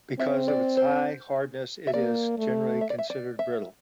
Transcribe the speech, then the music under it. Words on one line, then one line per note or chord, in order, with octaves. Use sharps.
Because of its high hardness, it is generally considered brittle.
C4 E5
D5
C5
E5
A#3 D5
A3
E5
D5
E5
D5
E5